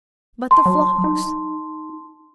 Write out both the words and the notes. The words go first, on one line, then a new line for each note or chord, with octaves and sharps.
"But the flocks!"
A5 C6
F#3
D#4